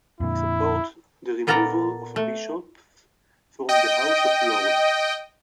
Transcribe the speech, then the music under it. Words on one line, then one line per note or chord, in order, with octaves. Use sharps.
He supported the removal of bishops from the House of Lords.
F2 A#2 D3 E4
A#2 B3 A4 A#4 D5 A#5
A3
D#5 G5